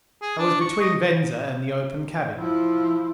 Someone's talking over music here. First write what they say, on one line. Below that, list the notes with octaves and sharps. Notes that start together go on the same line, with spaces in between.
I was between Venza and the open cabin.
G#4
D4
C#6
D#5
F3 E4